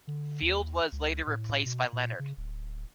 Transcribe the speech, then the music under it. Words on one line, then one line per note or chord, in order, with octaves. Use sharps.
Field was later replaced by Leonard.
D3
D#2
C#2
A2
B2
A#2
C#3
D1